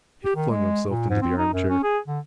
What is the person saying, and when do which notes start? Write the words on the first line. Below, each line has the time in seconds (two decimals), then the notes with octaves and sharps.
He flung himself into the armchair.
0.25 G4
0.36 D#3
0.50 G#3
0.89 A#2
1.10 G#2
1.22 C4
1.38 D#4
1.53 F#2
1.69 C#4
1.83 G#4
2.08 D3